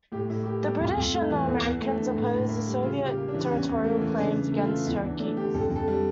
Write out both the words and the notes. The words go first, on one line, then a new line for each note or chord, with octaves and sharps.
The British and the Americans opposed the Soviet territorial claims against Turkey.
A2 G4
A2 E4
A#3 G4
G3 G4
F2 F4
F2
A3
E3
E2
E2
A3
D3
A2
A2
A#3 E4
G3
C#3 F4
C#3
G4
A#3
D4
E3
E2 C#4
E2
A3 A#3
E3
C#3 D4
C#3
A3 E4
F4
E3
E2 E4
E2 D4
A3 D4
D3 G4
F2 A4
F2
A4
G3